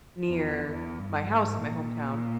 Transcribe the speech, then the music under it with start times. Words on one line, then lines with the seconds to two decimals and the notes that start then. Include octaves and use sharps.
near my house in my hometown.
0.27 E2
0.71 E2
0.99 G2
1.28 G#2
1.58 A#2